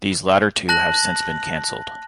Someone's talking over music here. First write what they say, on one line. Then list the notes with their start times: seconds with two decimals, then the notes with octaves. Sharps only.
These latter two have since been canceled.
0.69 A5 F#6 A#6 F#7